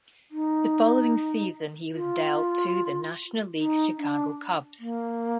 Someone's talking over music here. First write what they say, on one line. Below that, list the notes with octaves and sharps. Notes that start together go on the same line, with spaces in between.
The following season he was dealt to the National League's Chicago Cubs.
D#4
F4
D#4
D4
A#3